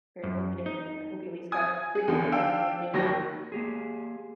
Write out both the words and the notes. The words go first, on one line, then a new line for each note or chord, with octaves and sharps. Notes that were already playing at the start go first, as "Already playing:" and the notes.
very hope you didn't I hope you, at least, got a refund on the wedding and
F#2
D#4
G#5 D#6 G#6
G#4
E2 D3 D#3
D4 F5 G5 E6
G#1 D#2 F#3 C#6 A#6
A#3 G4 G#4